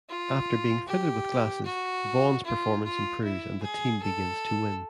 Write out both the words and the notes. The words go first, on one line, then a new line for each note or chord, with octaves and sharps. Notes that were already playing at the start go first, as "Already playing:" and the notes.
After being fitted with glasses, Vaughn's performance improves and the team begins to win.
F4
G4
F#4
F4
F4
E4
G#4
A4